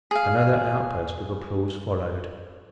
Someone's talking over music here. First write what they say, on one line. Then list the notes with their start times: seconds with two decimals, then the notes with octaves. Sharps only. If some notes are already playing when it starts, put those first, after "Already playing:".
Another outburst of applause followed.
0.11 G#4 F5